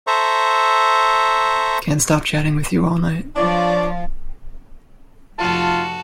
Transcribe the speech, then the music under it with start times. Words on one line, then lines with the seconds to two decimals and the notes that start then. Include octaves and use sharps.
Can't stop chatting with you all night.
0.07 A4 C5 E5 A#5 C#6
3.36 F3 D4 F4 C#5 D5
5.39 F1 F3 F4 F#4 A4 A5